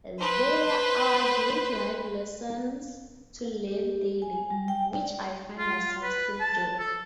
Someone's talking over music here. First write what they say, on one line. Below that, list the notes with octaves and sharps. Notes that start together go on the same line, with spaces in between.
There are great life lessons to learn daily, which I find myself still doing.
B4 C5
G4
G#5
G3
G5
D5
F4
B4
A5
A4